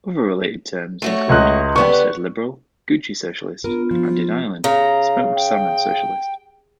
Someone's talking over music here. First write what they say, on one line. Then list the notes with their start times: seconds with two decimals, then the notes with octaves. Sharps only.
Other related terms include "Hampstead liberal, Gucci socialist", and in Ireland "smoked salmon socialist".
1.02 A3 F#4 C#5
1.29 C#2 D#5 F#6
1.76 D3 B3 G4 C#6
3.64 B3 D4 F4 A#4
3.91 F3
4.64 C#3 A#5
5.36 G5